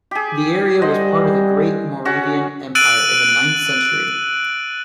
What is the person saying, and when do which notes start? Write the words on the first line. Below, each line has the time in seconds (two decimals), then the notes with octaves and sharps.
The area was part of the Great Moravian empire in the ninth century.
0.11 G4 G#4
0.82 G3 C5 D#5 F#5
2.05 C#4 F#4 F#5
2.75 E6 F#6 A6 D7 D#7 F#7